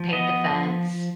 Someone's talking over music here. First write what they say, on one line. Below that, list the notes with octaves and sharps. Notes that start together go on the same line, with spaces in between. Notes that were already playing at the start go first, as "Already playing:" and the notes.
paint the fence,
Already playing: F3
B3 D#5
F3